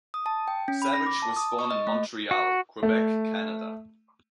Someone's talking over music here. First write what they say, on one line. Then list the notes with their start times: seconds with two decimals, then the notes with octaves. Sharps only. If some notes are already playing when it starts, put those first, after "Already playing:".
Savage was born in Montreal, Quebec, Canada.
0.14 D#6
0.26 A5
0.48 G5
0.68 C#4
0.82 B5
0.93 A#6
1.06 D6
1.22 A5
1.37 D#6
1.59 C#6
1.71 D#5
1.87 A3
2.31 F#4
2.83 A3